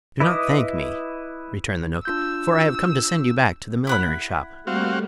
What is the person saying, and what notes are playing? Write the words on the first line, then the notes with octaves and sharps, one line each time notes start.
"Do not thank me," returned the knook, "for I have come to send you back to the millinery shop."
E4 B4 D#5 D6 D#6
D4 F4 E6 G6
E4 F#5 B5
G3 A3 A#3 C4 F#4 F5